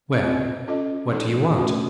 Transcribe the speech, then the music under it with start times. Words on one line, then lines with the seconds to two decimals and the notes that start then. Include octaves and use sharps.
"Well, what do you want?"
0.23 C4 F4 C5 D#5
0.68 C#4 F4 A4 D#5
1.12 F3 A#3 D#4 A4 C5
1.57 D#3 A3 C#4 F#4 C5